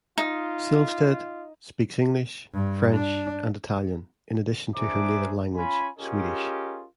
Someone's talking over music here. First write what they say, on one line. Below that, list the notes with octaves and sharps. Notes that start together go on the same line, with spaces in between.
Silvstedt speaks English, French, and Italian, in addition to her native language Swedish.
D#4 F4
G2
D4
D4 G#4 C5 E5 A#5 D6
C#4 F4 G#5 B5
C#4 F4 G4 G#4 A#4 D#5